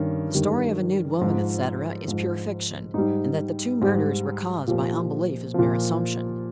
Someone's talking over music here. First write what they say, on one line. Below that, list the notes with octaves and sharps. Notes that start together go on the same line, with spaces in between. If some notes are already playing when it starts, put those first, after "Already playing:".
The story of a "nude woman," etc., is pure fiction, and that the two murders were caused by unbelief is mere assumption.
Already playing: G2 D#3 C#4
G2 D#3 G3
G#2 F3
G#2 F3
G#2 G3 D#4
G#2 G3
A#2 F3 G4
A#2 F3